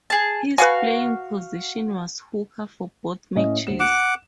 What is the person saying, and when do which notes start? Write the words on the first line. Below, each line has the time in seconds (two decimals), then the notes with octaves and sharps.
His playing position was hooker for both matches.
0.10 G#4 A5
0.58 F#4 B4 F5 F#5 G#5
3.35 A2 C#4 D#5
3.67 D2 C5 E7
3.80 F#5 D6 E7